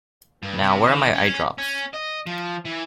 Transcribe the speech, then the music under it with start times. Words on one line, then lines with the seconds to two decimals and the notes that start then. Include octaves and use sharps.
Now, where are my eyedrops?
0.43 G2
0.62 C3
0.88 D#3
1.14 C#4
1.58 C#4
1.93 D#5
2.27 F3
2.66 E3